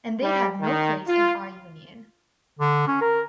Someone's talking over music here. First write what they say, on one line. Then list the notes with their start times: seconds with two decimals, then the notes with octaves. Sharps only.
And they have no place in our Union.
0.23 G3
0.61 D#3
1.08 F4
2.59 D3
2.88 C#4
3.01 A#4